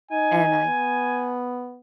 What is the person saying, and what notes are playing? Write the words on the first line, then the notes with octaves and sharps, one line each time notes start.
and I,
D#4 G#5
B3